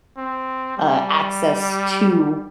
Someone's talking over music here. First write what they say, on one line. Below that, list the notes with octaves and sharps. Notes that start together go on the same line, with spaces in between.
uh, access to
C4
G3